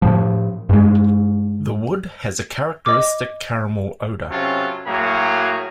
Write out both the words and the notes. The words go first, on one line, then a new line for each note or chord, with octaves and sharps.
The wood has a characteristic caramel odour.
A2 F3
G2 G#3
D#5 D6
C3 F#3 C#4 F4 A4
A2 F#3 A#3 G#4 A#5